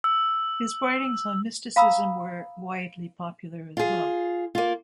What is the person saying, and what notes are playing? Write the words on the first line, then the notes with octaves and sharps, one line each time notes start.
His writings on mysticism were widely popular as well.
E6
F5 A#5 B5 D#6 E6
F4 G#4
A#3 F4